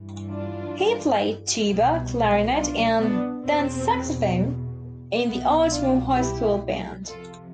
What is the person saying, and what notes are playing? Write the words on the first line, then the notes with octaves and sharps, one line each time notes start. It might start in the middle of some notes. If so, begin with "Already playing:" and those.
He played tuba, clarinet, and then saxophone in the Ardmore High School band.
Already playing: G2 E3
D4 F4
C2 B2
D4 F4
B3 D4
E2 B2 C4
C2 B2 B3
D4 F4
E4 G4
F2 C3 F3 F4 A4